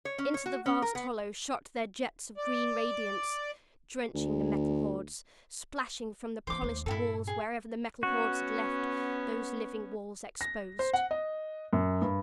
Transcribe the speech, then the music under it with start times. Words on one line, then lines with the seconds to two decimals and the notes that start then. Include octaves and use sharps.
Into the vast hollow shot their jets of green radiance, drenching the Metal Hordes, splashing from the polished walls wherever the Metal Hordes had left those living walls exposed.
0.05 C#5
0.18 C#4
0.34 C#5
0.46 F#4
0.66 C#4
0.82 A#4
0.95 B3
2.37 D5
4.14 D2
6.47 E3 A#3 C5 D6
6.61 D#2 A3
6.86 G2 A#2 E4 F#4 A4
7.27 G#4
8.03 B3 C#4 F#4
10.41 A#6
10.79 C5
10.93 F#5
11.11 D#5
11.73 F#2
12.02 G2